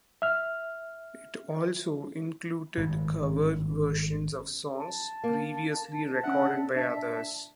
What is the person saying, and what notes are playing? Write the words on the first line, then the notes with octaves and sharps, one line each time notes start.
It also included cover versions of songs previously recorded by others.
E5 F6
G#1 G2
A5
A#3
C#4 D4 E5 F#5
D4 E5